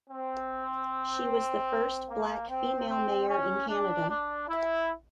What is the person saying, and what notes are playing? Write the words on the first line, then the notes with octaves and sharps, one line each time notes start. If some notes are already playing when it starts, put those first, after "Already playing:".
She was the first black female mayor in Canada.
C4
A#3
C4
C4
C#4
D4
D4
E4